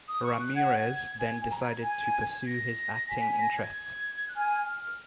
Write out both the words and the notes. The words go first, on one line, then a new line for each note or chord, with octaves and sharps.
Ramirez then decided to pursue his acting interests.
D#6
C#6
F#6
F#5 G#6
G#5 G#6
G#5
A#5
G#6
G#5
G#6
A#6
G#5 B6
B6
A#6
G#6
F#6
G#5 F6